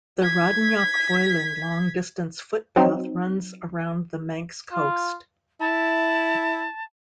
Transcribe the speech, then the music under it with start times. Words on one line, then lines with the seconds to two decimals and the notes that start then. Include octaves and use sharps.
The Raad ny Foillan long distance footpath runs around the Manx coast.
0.22 G#6 B6
2.76 F#3 C4 D#4
4.72 F4
5.60 E4 A5